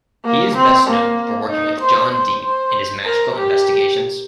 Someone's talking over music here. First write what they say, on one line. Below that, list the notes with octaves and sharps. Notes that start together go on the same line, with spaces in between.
He is best known for working with John Dee in his magical investigations.
A#3
C4
A#3
D#4
C5
C5
C5
A#4
G4